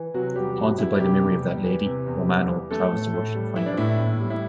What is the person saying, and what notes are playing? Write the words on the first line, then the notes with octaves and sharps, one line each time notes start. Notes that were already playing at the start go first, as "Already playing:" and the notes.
Haunted by the memory of that lady, Romano travels to Russia to find her.
Already playing: E3
C3 F#3 F#4
E2 G3 G4
F#3 G3 F#4
E3 E4
C3 G3 G4
E2
G3
E3
C3
E2
G3
E3
E3 A3 A4
A2
A2
G3
E3 E4
D4
A2 E4
A2
G3
E4